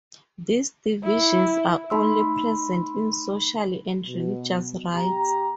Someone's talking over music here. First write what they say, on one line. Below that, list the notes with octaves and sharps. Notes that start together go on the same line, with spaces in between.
These divisions are only present in social and religious rites.
E4
A3 D#4 B5 C6 E6
B2
G4 A#5